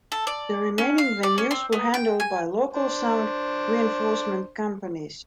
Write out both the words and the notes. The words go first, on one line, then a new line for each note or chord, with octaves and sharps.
The remaining venues were handled by local sound reinforcement companies.
A4
D5
C#4
F5
D5
C#4
C4
B3
G5
G#5
D4 C5